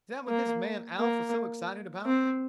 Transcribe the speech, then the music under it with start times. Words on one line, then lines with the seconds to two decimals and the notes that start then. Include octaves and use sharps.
"Is that what this man Alf was so excited about!"
0.28 A#3
0.99 A#3
2.06 C4